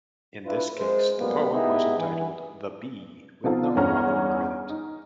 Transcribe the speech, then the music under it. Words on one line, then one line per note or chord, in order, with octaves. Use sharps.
In this case, the poem was entitled "The Bee" with no author credit.
D4 E4 F4 B4
G#3 A#4 C5
F#2 G3 G#3 A#3 B3
B3 D#4 E4 G4 G#4
E3
B2 F3 C4 D#4 F4 A4
G1 E2 C#4 A#5 F6
D#4